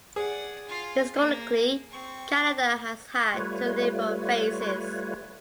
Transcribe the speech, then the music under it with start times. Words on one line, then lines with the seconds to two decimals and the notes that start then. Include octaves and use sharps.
Historically, Canada has had two liberal phases.
0.16 G#4 D5 F#5
0.67 F4 F5
1.15 A#3
1.90 C4 C#6
3.34 G3 A3 F4 B4 C#5